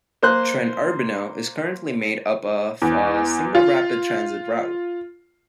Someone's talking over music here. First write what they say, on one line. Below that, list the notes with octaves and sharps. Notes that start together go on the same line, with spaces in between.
Tren Urbano is currently made up of a single rapid transit route.
A#3 C5 F#6
E2
F4